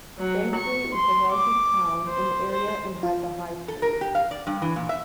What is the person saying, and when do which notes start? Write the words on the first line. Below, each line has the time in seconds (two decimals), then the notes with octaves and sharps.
Banchory is the largest town in the area and has a High Street.
0.19 F#3
0.56 C#6
0.95 C6
1.32 D6
2.09 C5
2.52 C5
3.03 F4
3.68 A4
3.82 A#4
4.01 G4
4.15 F5
4.31 D5
4.47 G2
4.62 E3
4.76 A#2
4.89 E5